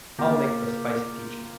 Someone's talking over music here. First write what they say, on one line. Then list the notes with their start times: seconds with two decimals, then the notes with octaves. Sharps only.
I'll make the spiced peaches!
0.18 C#3 A#3 F4 G4 A#4